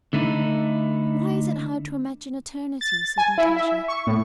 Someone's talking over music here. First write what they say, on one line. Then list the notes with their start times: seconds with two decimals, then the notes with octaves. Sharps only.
"Why is it hard to imagine eternity?" said Natasha.
0.13 D3 A3 D#4 E4
2.81 A6
3.18 G#5
3.38 E4
3.56 E5
3.88 C#6
4.07 A2